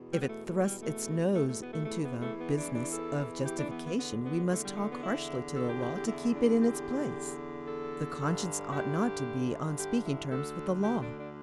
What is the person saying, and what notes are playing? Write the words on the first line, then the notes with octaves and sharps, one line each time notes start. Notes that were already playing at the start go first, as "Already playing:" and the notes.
If it thrusts its nose into the business of justification we must talk harshly to the Law to keep it in its place. The conscience ought not to be on speaking terms with the Law.
Already playing: E2 B2
G3
B3
A3
A3
G3
A3
A3
A3
B3
A3
E2 E3 A3
B3
A3
B3
D4
D4
A4
G4
D4
B3
B3
E2 D3 B3
B3
A3
G3
A3
B3
E4
A4
G4
G4
G4
E2 D3 E4
D4
G4
A4
G2 D3
G4
G4
E4
D2 D3 A4
G4
D4
D4